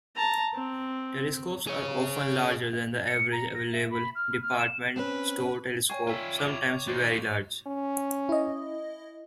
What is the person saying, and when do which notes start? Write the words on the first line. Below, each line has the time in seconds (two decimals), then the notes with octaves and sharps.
Telescopes are often larger than the average available "department store telescope", sometimes very large.
0.16 A5 A#5
0.54 C4
1.67 G#4 C#5
3.08 C#7
3.32 A#5
3.55 A#6
3.73 E5
3.91 B5
4.15 F6
4.42 F6
4.59 E7
4.96 C4 C#4 B4
5.90 C#5 D5 F5 G5 G#5 C#6 G#6
6.07 F4 E5
6.39 D6 F7
6.88 A#3 D#4 F#4 C5 A6
7.67 C#4
8.29 E4 D#5